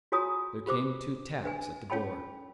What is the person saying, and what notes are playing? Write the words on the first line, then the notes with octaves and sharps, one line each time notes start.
There came two taps at the door.
F4 F#4 C#5 G#5 A#5 D#6
F4 G4 C5 D6
D4 B4 G#5
C#4 F4 C#5 G5 A5 B5